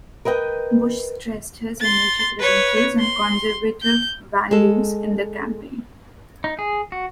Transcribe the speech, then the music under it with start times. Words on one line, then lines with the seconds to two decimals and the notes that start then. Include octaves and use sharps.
Bush stressed his energy credentials and conservative values in the campaign.
0.25 A#4 B4 D#5 F#5 G5
1.80 C6 A6
2.39 B4 C#5
3.00 C6
3.82 G6
4.51 G#3 A4
6.44 D#4
6.59 G#4
6.92 F#4